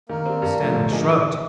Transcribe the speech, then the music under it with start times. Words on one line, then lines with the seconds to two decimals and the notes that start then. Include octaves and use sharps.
Stanley shrugged.
0.09 D#3 A#3
0.26 G3 C4
0.42 G2
0.59 D3 F3 A3 C#4
0.75 A2
0.91 F3 A#3 D#4 G#4